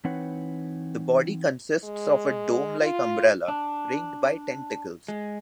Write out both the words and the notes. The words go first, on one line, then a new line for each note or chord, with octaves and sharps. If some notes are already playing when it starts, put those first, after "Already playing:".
The body consists of a dome-like umbrella ringed by tentacles.
E3 C4 D#4 B4 C#5 F#5
G#3
F4
D4
G#3